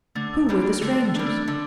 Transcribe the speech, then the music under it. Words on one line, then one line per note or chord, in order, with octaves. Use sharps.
Who were the strangers?
D3 A3
G3 A#3 D4
D3 A3
A3
G3 A#3 D4
A3
D3 A3